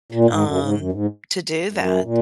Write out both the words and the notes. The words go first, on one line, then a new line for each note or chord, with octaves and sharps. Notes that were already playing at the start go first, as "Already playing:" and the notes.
um, to do that,
A#2
G#2
F#2
G#2
F#2
G#2
F#2
A#2